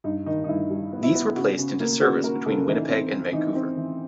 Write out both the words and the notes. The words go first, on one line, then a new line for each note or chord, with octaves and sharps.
These were placed into service between Winnipeg and Vancouver.
G2 D#4
D#3 D#4
D#4
G2 E4
G3
B3
E4
B3
C#3 F#4
C#3
A#3
C#3 F#4
A#3 A#4
C#3 A4
E3 D#4
C4
C4
E3 D#4
C4
E3